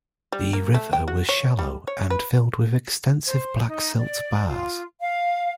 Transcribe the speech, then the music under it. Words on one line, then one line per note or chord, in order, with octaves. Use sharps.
The river was shallow and filled with extensive black silt bars.
G3
A#3
A3
G5
F#4
C#5
G3
C#5
B4
C5
D#4
D5
F4
F5